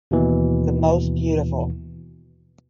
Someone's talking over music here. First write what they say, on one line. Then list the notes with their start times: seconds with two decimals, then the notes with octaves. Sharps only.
The most beautiful.
0.11 D#2 B2 E3